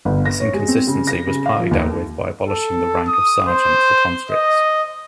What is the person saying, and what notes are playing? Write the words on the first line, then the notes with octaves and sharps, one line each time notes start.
This inconsistency was partly dealt with by abolishing the rank of sergeant for conscripts.
G1
A#6
C#5
G#3
C4
C#3
A#6
C#3
F5
F3
D#2
A4
D#6
C5
D#5